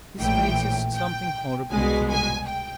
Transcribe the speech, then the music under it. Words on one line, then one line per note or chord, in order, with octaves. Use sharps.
His face is something horrible to behold.
A#1 A2 E3 G5
G5
C2 B2 G#3 G#5
G#5
G5